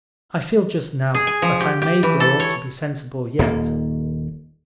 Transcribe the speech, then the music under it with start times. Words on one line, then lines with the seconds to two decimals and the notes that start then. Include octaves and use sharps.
I feel just now that I may grow up to be sensible yet.
1.14 G#4
1.27 G#5
1.42 F3
1.60 G4
1.82 G4
2.03 E3
2.20 A4
2.40 C#5
3.39 D#1 D#2 A#3